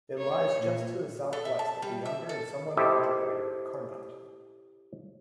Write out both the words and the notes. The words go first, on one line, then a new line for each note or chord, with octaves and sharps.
It lies just to the southwest of the younger and somewhat larger crater Carnot.
C#5
A#2
A4
E5
A5
G3
E5
A4
E4 G4 A4 C5 D#5 E5